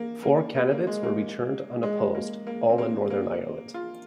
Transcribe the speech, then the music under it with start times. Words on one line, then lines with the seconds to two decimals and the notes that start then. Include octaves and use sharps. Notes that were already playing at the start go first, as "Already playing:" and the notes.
Four candidates were returned unopposed, all in Northern Ireland.
Already playing: A#3
0.23 A#3
0.55 A#3
0.71 A#3
0.87 G#3
1.03 A#3
1.83 G#3
2.15 A#3
2.47 A#3
2.69 C4
2.78 A#3
3.10 A#3
3.74 F4